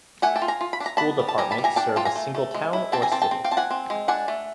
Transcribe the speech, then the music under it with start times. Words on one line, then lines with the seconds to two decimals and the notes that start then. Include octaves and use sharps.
School Departments serve a single town or city.
0.22 A3 F#5 G#5
0.36 G5 A5
0.42 F4
0.48 G#5 A#5
0.61 F4
0.73 B5
0.80 D4
0.86 A#5
0.97 B3 A5 B5
1.19 G3
1.28 A5
1.38 G3 G#5 A#5
1.51 A5 B5
1.58 G3
1.64 G#5 A#5
1.76 D4 G5 A5
1.96 F4 G5 A5
2.05 G#5 A#5
2.16 A3
2.35 A3
2.54 G#3
2.73 E4
2.92 C4 G5 A5
3.02 G#5 A#5
3.12 C4 G5 A5
3.22 G5 A5
3.31 C4
3.44 F5 G5
3.51 C4 A5
3.57 F#5 G#5
3.70 C4
3.90 G#3
4.08 D4 F#5 G#5
4.28 A3